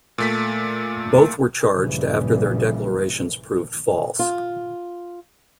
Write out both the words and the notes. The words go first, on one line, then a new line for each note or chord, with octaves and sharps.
Both were charged after their declarations proved false.
A#2 A3 B6
A#1 G2 A#2 C#3 E3 G3
F4